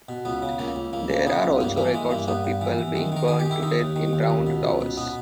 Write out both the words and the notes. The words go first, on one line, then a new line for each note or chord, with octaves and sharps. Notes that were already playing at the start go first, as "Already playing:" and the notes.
There are also records of people being burned to death in round towers.
B2
C#2 B3
C#3
C#2 A#3
C#2
C#2 A#3
C#3
C#3 B3
C#2
G2 A#3
E3 A#3
E3 G#3
G2 A#3
G2 B3
G2
E3
E3
D#3
D#3 A#4
D#3 G#4
G4
D#3
E4
D#3 D#4
D#2
D#3
D#2
C#2
B2
C#2
B2
B2 B3